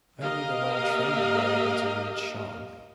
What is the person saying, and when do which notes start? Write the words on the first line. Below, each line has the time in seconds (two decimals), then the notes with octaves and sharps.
Only the well-trained were able to read Shan.
0.22 A#3 G4 A#4 D#5 F5